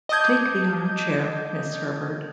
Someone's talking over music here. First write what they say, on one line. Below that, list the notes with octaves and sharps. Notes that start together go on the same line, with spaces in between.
Take the armchair, Miss Herbert.
D#5 A5 D6 D#6 G6 G#6